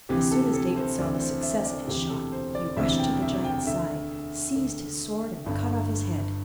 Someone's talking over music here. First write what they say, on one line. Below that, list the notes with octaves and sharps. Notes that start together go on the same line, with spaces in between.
As soon as David saw the success of his shot, he rushed to the giant's side, seized his sword, and cut off his head.
D2 C3 E3 G4
A4
A4
C5
D2 C3 E3 D5
C5
E5
D5
E1 D2 C3 E3 G4
A4
C5
D5
E1 D2 C3 E3 E5
G5
E5
G5
D2 D3 E5
D2 D3
G1 G2 D3